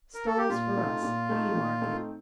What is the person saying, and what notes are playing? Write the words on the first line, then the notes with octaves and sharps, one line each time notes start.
Stalls for us, Haymarket.
A#4
A4
G4
A#2 F4
A3 C4 D#4
A#2
A3 C4 D#4
A#2
A3 C4 D#4